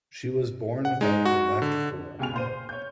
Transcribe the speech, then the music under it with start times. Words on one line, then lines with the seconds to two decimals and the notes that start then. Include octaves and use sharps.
She was born without her left forearm.
0.85 F#5
1.01 G#3 D#4
1.25 F#4
1.62 D3
2.19 C#2 B2 G5 G#5 F6 F7
2.34 A#2 C5 D#7
2.46 C5
2.69 C#5 G6